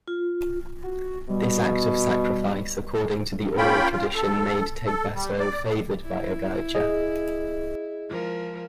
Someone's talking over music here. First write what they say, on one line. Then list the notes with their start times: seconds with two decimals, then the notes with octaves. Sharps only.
This act of sacrifice, according to the oral tradition made Tegbessou favored by Agaja.
0.08 F4
0.84 F#4
1.29 B2 G3
3.58 A#3 C#4 F4 G5 B5
3.92 F4
4.14 A4
4.87 A4
5.15 G3
5.40 D5
6.02 E4
6.75 G#4 D#5
8.10 F3 G#3 A#4